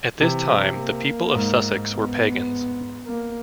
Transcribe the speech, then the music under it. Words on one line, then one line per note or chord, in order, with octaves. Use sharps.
At this time the people of Sussex were pagans.
C3 E3
F3
A#3
G#2
B3
A#3